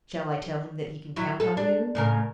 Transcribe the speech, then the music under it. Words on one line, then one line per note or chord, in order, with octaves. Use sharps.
"Shall I tell him that he can count on you?"
F#3 E4
A4
D4
A2 C#3 A#4